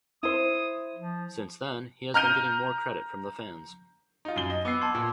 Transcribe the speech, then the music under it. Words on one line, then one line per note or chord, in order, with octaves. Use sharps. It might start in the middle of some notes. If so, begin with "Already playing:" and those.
Since then, he has been getting more credit from the fans.
E4 C5 D#6
F3
A#5 F6 G6 D#7
D#4 F4
F#2 G7
D#5
B3 D6 E6 C7
A5 C6 G#6
A#2